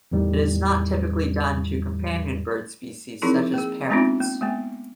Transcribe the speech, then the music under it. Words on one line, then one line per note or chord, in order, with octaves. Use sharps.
It is not typically done to companion bird species such as parrots.
E2 A2 D#3 G3
F3 C4 D#4 E4 G#4 A#4
A#3 G#4
G#3 B3 C4 D4 D#4 F4
A#3
G#3 A#3 B3